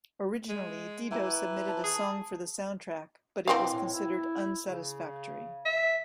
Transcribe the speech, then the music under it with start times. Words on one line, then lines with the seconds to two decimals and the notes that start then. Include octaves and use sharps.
Originally, Dido submitted a song for the soundtrack, but it was considered unsatisfactory.
0.49 G#3
1.11 E3 G5 A#5
1.68 A5
1.84 G#4
3.48 B2 E3 C4 F5
3.72 A2
3.94 E4
4.70 C#3
5.66 E5